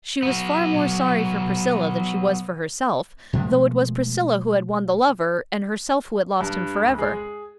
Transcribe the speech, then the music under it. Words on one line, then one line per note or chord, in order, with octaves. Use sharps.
She was far more sorry for Priscilla than she was for herself, though it was Priscilla who had won the lover, and herself who had lost him forever.
F#3 B3
B2 F3 G#3 A3
G2
C#2
G#3
G#4